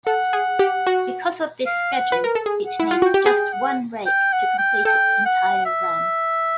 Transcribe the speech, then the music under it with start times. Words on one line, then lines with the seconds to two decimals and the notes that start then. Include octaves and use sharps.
Because of this schedule, it needs just one rake to complete its entire run.
0.07 A4 F#5
0.33 G#4
0.59 G4
0.87 F#4
1.66 F5
1.92 F#5
2.12 B4
2.24 A#4
2.35 A4
2.46 G#4
2.66 F#5
2.80 E4
2.86 F4 F#5
3.02 F#4 G5
3.14 G4
3.25 G#4 G5
3.53 F#5
4.06 G5
4.33 F#5
4.58 G5
4.85 A4 G5
5.26 F#5
5.66 E5